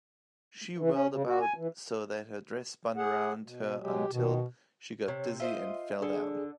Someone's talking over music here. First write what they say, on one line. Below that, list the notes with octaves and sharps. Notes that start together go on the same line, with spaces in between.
She whirled about so that her dress spun around her until she got dizzy and fell down.
E3
C#4
C#3
F#4
G#5
E3
G#4 F#5
B2
B2 F#3 G#3 G4
B2 D#3
C3 C#5
F4 C5 D#5 E5
D3 D4 G#4